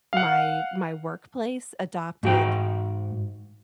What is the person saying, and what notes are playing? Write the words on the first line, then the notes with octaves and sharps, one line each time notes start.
my my workplace adopted
F5 F#5
G#2 F#4 G5